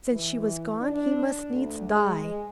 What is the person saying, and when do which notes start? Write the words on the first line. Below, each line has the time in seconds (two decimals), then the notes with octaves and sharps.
Since she was gone, he must needs die.
0.10 E3
0.80 D4
1.51 D2
1.93 G#3